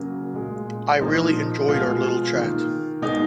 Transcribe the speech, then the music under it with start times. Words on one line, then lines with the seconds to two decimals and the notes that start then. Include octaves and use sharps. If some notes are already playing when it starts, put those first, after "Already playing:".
I really enjoyed our little chat.
Already playing: C#3 F#3 A#3
0.34 A#2 G#3
1.01 A#2 F3 A#3 D#4
1.67 B2 G#3 F4
2.35 D#3 A#3
3.02 B2 G#3 D#4